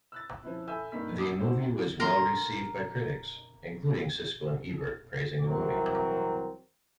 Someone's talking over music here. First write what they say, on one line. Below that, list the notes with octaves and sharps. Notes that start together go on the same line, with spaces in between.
The movie was well received by critics, including Siskel and Ebert praising the movie.
E6 F#6 A6
F3 C#4 E4
A4 E5 G#5 B5 E6 G6
G2 A#3 D#4 B5 E6 B6
D6 D#6
D#4 F#4 C5
A#4 C6
C2 E3 F#3 C4 A#4